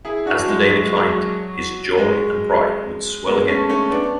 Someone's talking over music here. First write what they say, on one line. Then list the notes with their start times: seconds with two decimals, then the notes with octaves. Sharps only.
As the day declined his joy and pride would swell again.
0.05 E4 G#4
0.26 D4 F#4
0.39 F#3
0.48 G#3
0.69 F#3
0.83 G#3
0.96 F#3
1.98 G#3
3.26 G#3 B3
3.48 A3 C#4
3.69 A3 C#4
3.91 B3 D4